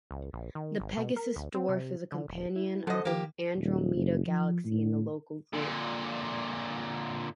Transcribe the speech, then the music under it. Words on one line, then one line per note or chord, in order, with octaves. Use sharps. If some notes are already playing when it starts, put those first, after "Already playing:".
The Pegasus Dwarf is a companion of the Andromeda Galaxy in the Local Group.
C#2
A#1
D#3
G#1
B2
A#4
D2
C4
C3
D3
D#1
E4
F#2 F#3 A4 C5 D#5 F#5
D#3 F3 A#3 G4
D#1
F#1
F3
A2
A#2 D3